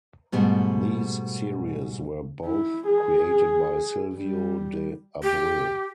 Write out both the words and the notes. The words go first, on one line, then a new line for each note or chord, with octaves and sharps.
These series were both created by Silvio de Abreu.
G#2 B2 G3 A3
E4
G#4
G3
G4